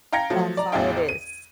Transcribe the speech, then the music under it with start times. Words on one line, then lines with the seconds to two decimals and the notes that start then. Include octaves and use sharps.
That's all it is.
0.13 F5 G5 A#5 G#6 A#6 C#7
0.30 F3 F#3 A3
0.57 D5 A#5
0.72 A1 E2 G#4 E5 F5 G5
1.09 D#7